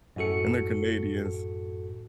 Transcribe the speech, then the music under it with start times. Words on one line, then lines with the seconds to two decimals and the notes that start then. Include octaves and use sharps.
and they're Canadians.
0.16 F#2 A2 F#4 A4 C#7